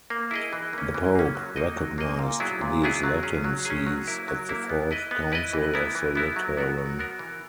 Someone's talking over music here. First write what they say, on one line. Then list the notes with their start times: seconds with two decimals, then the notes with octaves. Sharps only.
The pope recognised these "Latin" sees at the Fourth Council of the Lateran.
0.10 A#3
0.31 E4 G#4 D#5
0.53 E3
0.73 A#3 C#4
0.94 E3
1.15 A#3 C#4
1.35 F#3
1.56 A#3 D#4 A#4 D#5
1.77 F#3
1.98 A#3 D#4 A#4 D#5
2.19 A#2
2.40 F#3 B3 E4 G#4
2.61 A#2
2.82 F#3 B3 E4 G#4
3.03 F#3
3.23 C#4 G#4
3.44 F#3
3.65 G#4
3.70 C#4
3.86 F#3
4.07 A#3 E4 A#4
4.28 F#3
4.49 A#3 E4 A#4
4.70 B3
4.91 E4 B4 D#5
5.11 B3
5.32 E4 B4 D#5
5.53 E3
5.74 B3 E4 A#4
5.95 E3
6.15 B3 E4 A#4
6.36 F#3
6.57 B3 F#4 A#4
6.78 F#3
6.99 B3 F#4 A#4
7.19 E3